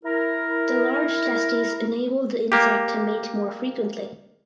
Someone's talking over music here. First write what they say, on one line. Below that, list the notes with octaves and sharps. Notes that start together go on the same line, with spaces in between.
The large testes enable the insect to mate more frequently.
E4 A#4
A#3 G4